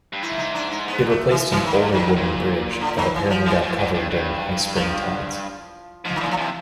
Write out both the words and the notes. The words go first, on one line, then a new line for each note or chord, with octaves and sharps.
It replaced an older wooden bridge that apparently got covered during high Spring tides.
G2
G#2 E4
D#4
D4
D#4
B3
A3
E3
A2 E3
D#3
A#2
D3
A2 D#3
A#2
D3
D#3
E3
F#3
F3
A2 E3
A2
G#2
G2
G2
F3
G#2 F3
D#3
A#2 E3
F3
C3 E3